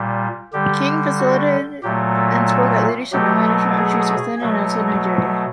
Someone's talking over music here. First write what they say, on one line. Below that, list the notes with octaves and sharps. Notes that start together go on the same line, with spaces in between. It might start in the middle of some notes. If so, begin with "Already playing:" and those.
King facilitated and spoke at leadership and management retreats within and outside Nigeria.
Already playing: A#2 G3
D3 G3 G4
F#4
A#2 F#3 A3 G4
A4
A4
B2 F#3 A3 G4
G#4
B2 F#3 A3